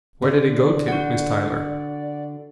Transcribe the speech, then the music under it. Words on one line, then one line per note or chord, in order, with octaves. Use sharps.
"Where did he go to, Miss Tyler?"
D3 D5
F#4 F#5